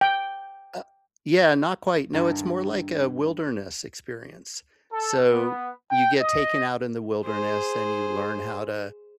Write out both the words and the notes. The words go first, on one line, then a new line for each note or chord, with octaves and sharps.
Uh Yeah, not quite. No, it's more like a wilderness experience. So, you get taken out in the wilderness, and you learn how to,
G5
G2 D#3 E4 A4
A4
B3
G5
D#5
G#4 C5